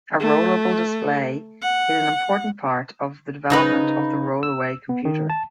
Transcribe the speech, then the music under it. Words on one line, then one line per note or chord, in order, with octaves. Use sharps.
A rollable display is an important part of the development of the roll-away computer.
A3
F#5
C#3 D#4 B4
E6
B3
D#3
A5